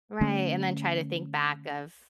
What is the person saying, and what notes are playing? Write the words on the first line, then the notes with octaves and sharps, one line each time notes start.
Right, and then try to think back of,
D3 A3 C#4